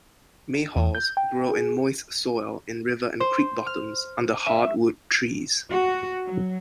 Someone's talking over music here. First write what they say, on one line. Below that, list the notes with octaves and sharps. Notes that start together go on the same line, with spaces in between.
Mayhaws grow in moist soil in river and creek bottoms under hardwood trees.
E2
G6
G5
G#4
C5
F6
E5
F#4
F#3